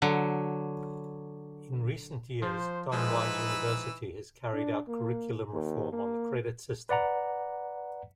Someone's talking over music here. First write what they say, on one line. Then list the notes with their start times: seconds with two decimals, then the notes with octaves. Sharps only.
In recent years Donghua University has carried out curriculum reform on the credit system.
0.02 D3 F#3
2.42 F3 C5
2.92 E3 F3 G#3 D#4 B4 E6
4.53 D4
4.88 A#3
5.53 D#2
5.92 A#3
6.89 B4 D5 F#5 A#5